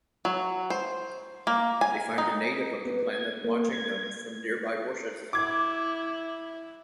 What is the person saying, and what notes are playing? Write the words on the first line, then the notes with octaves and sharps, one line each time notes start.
They find a native of the planet watching them from nearby bushes.
F#3
C5
A#3
G#5
D#4
B3
G#6
A#3
G#6
E4 D6 G#6